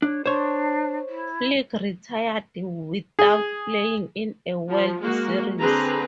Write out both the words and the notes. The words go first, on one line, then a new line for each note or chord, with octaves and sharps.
Flick retired without playing in a World Series.
D4 C#5
D4 C5 C#5
E4
G#4
F3
G#3 A#3 F#4
D3 C4 G#4 B4 A#5